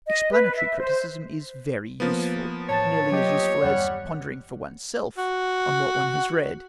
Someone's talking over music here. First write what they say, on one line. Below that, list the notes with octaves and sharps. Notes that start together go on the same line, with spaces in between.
Explanatory criticism is very useful; nearly as useful as pondering for oneself on what one has read!
D#5
B4
E5
C5
F3 A#3 B3
A1 C#5 A5
F#3 G4 D#5
D#1 E2 G2 G3 F#5
F#4